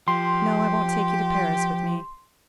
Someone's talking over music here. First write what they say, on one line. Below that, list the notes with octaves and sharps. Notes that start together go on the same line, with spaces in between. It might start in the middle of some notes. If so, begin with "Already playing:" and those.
No, I won't take you to Paris with me.
F3 G4 C6